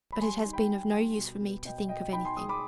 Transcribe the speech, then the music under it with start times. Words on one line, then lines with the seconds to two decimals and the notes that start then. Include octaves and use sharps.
But it has been of no use for me to think of anything.
0.12 B5
0.21 G3 G#5 C6
0.38 G#5 C6
0.46 D#4
0.53 G5 B5
0.69 D#4
0.93 G3
1.18 B2
1.41 B3
1.65 B2 D#5 G5
1.89 B2 D#5 G5
2.13 D#4 G5 B5
2.25 G#5 C6
2.37 G#3 C6 D#6
2.49 B5 D6